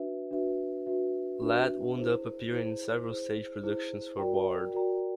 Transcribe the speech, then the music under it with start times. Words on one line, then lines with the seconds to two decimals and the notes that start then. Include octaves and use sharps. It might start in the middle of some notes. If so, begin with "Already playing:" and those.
Ladd wound up appearing in several stage productions for Bard.
Already playing: D4 F#4 B4 E5
0.31 D4 F#4 B4 E5
0.86 D4 F#4 B4 E5
1.42 D4 F#4 B4 E5
1.98 E4 G#4 C5
2.52 E4 G#4 C5
3.08 E4 G#4 C5
3.63 E4 G#4 C5
4.18 F#4 A#4 D5 G5 A#5
4.74 F#4 A#4 D5 G5 A#5